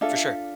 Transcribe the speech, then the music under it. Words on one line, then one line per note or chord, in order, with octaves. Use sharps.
For sure.
D4 F4 A4 E5